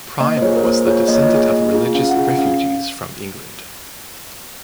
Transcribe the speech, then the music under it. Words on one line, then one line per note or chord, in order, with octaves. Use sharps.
Prime was the descendant of religious refugees from England.
A#3 D#5
C5
F4 G#4 C#5
A#4
A#3 C5
F4 G#4 C#5
A#3 D#5
C#5
D#5
F4
G#4
A#3
F4 G#4
C#4 F5
F#5
F4 G#4
C#4 F5